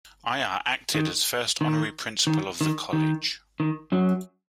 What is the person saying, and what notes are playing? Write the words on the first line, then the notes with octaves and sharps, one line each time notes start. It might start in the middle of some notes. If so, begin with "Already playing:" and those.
Aiyar acted as first honorary principal of the college.
D#3
D#3
D#3
D#3
D#3
D#3
F#2 F#3